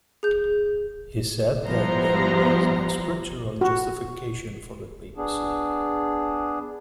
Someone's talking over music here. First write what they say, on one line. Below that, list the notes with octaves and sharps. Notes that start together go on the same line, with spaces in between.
He said that there was no scriptural justification for the papacy.
G#4 G6
F3 G3 B3 E4 A#5 C6
F#4
B3 D4 G#4